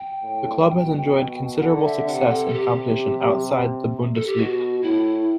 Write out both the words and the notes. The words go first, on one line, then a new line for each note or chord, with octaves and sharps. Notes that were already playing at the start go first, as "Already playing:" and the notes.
The club has enjoyed considerable success in competition outside the Bundesliga.
Already playing: G5
A2
B2
B2
D3 F#5
F#5
E5
C3 F#5
A4
A4
C3 G4
A4
G4
B2 F#4
A2 E4